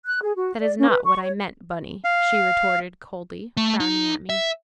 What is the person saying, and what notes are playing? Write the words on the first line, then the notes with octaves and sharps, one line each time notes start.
"That is not what I meant, Bunny," she retorted, coldly, frowning at me.
F#6
G#4
F#4
D5
C#4
B4
C#6
C#5
F5
A3
D#4
E5